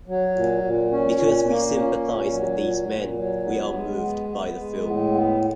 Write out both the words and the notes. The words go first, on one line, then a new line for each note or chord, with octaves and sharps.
Because we sympathize with these men, we are moved by the film.
F#3
A#2
A#2
C#4
A#2
A#3
C#4
A#2
F#3
A#2
A#2
F#3
B3
G#3
B3
B3
G#3
A2
B3